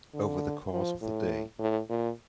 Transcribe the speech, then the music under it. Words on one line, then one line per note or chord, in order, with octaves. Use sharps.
Over the course of the day.
D3
F3
A2
A2
A#2